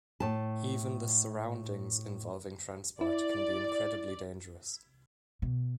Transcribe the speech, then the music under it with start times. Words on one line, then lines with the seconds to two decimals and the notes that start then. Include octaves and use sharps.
Even the surroundings involving transport can be incredibly dangerous.
0.20 A2 A5
3.01 E4 D5
5.42 B2